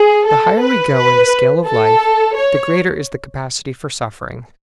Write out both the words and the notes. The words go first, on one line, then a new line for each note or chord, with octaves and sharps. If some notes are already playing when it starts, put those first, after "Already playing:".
The higher we go in the scale of life, the greater is the capacity for suffering.
Already playing: G#4
A4
B4
B4
A4
C#5